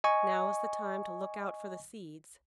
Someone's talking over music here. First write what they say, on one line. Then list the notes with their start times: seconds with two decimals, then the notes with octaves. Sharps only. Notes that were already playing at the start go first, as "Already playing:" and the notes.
Now is the time to look out for the seeds.
0.04 D#5 G#5 C#6